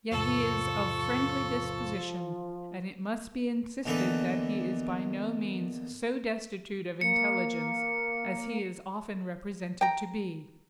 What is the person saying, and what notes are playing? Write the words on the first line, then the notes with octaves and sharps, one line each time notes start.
Yet he is of friendly disposition, and it must be insisted that he is by no means so destitute of intelligence as he is often represented to be.
E2 G#2 C3 F3 A4 C#6
E2 D3 A#3 D#4 A4 B4
A#3 C#7
G5 A#5